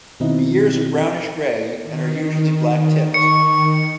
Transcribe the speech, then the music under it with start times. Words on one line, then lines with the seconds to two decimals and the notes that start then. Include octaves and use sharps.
The ears are brownish-gray and are usually black-tipped.
0.20 B2 D#3 C4 D#4 E4
1.82 D#3
3.14 C#6 C#7